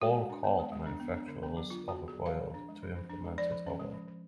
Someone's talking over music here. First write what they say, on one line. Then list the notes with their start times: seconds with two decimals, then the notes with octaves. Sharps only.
All card manufacturers are required to implement it however.
0.02 G#3 F#4
0.16 G#3
0.30 D4
0.44 B3
0.59 G#3
0.72 G#3
0.87 D4
1.00 B3
1.14 D4
1.28 D3
1.43 B3
1.57 F#3
1.70 D4 F4
1.84 D3 F#4
1.98 B3
2.08 F#3 G#4
2.26 F3 F5
2.41 F3
2.54 D4
2.69 G#3
2.83 F3
2.96 F3
3.10 D4
3.24 G#3
3.38 F3 D5
3.52 F3
3.67 C#4
3.79 G#3
3.94 F3
4.08 F3